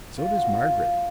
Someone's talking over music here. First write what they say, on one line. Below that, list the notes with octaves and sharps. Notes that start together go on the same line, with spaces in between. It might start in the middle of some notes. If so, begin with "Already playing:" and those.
So does Margaret.
F4
F#4
F4
F4